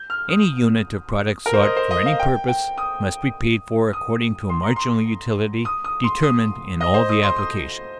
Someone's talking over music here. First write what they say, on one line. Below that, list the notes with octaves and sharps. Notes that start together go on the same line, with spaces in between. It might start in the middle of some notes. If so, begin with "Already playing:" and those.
Any unit of product sought for any purpose must be paid for according to a marginal utility determined in all the applications.
Already playing: G6
F6
D#6
A#4
C5
D#5
C5
D#5
F5
G5
G5
D#6
D#6
C6
A#5
C6
D#6
D#6
C6
D#6
D#5
C5
D#6
C6
D#6